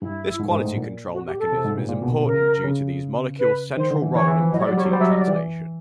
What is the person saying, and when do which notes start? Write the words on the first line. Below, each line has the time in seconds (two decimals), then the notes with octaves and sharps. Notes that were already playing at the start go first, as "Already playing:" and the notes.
This quality-control mechanism is important due to these molecules' central role in protein translation.
0.02 G2 E4
0.39 G#2
0.51 G#2
0.64 A2
0.77 A#2
1.14 F#4
1.27 G4
1.39 A4
1.52 C3
1.65 G#2
1.77 A#2
1.89 A#2
2.02 B2
2.27 C#3 A#4
2.64 C#3
3.39 B4
3.77 D#3 C5
3.91 D3
4.02 E3
4.15 E3 C#5
4.28 E3
4.40 F3
4.52 F#3 D#5
4.60 G3 C#5
4.65 D5
4.69 F#3
4.78 G3 C#5
4.86 F#3
4.90 C5
4.93 G3
5.00 F#3 E5
5.10 D#5
5.19 D5
5.28 E3